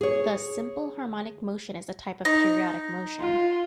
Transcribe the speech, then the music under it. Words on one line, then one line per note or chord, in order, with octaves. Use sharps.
Thus simple harmonic motion is a type of periodic motion.
G#4 C#5
D#4
F4